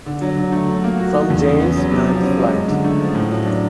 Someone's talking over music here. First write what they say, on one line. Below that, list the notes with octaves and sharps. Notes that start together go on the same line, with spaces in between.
From Jane's and Flight.
D3
F#3
D3
A3
F#3
A#3
F#4
D#4
E2
C#3
B3
F#3
C3
F3
C#4
G#3
F#2
D3
A3
F3
A2
F#3
D4